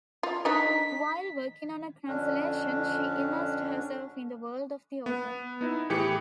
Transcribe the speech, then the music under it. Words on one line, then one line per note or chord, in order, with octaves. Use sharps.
While working on a translation, she immersed herself in the world of the author.
F4
D4 D#4 D#5 B6
F2 D3 C#4 D4
B3
B3 D#4 E4
A2 E3 G4 G#4 C#7